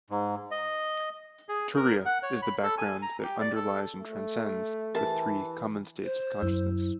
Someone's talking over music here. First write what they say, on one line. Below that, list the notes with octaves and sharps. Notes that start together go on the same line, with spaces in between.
Turiya is the background that underlies and transcends the three common states of consciousness.
G#2
D#5
G#4
A#4
F#5
C#5
B5
A4
G#5
A#5
G4
D5
A4
A3
E3 G4 A#4 E5 A5
C5
F#2 E4